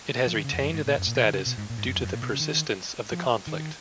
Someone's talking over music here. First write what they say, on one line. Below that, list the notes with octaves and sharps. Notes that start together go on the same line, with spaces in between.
It has retained that status due to the persistence of the conflict.
F3
D#3
C#3
F2
F#2
G#2
A#2
F#2
A#2
B2
D#3
C#3
B2
G#2
A#2
G#2
F#2
F2
F#2
A#2
B2
C#3
D#3
F3
D#3